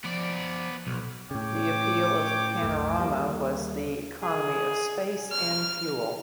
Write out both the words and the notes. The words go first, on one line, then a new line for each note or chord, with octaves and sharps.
The appeal of Panorama was the economy of space and fuel.
F3 B3 D5
B1
A2 C#3 C#5 G5 D6
C2 F#2 A3
D#2 G3 A#3
G#4
F6